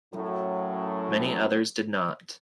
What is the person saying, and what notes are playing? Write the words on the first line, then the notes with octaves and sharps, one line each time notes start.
Many others did not.
F#2 A2 F#3